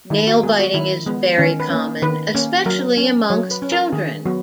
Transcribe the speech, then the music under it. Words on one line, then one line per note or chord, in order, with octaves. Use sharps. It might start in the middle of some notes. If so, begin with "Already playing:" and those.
Nail biting is very common, especially amongst children.
D#3 E4
F#4
G#3 B3 G#4
F#4
D#3 E4
G#3 B3
D#3 C#4
B4
A#3 C#4
D#3 B4
A#3 C#4
F#3 A#4
C#4
F#3 C#5
B4
C#4
A#4
D#3 G#4
F#3 B3 F#4